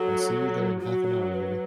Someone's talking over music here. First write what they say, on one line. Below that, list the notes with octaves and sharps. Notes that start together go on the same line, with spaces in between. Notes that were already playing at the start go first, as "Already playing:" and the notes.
I'll see you there in half an hour buddy.
Already playing: F#3 A4
F#3 F#4
B4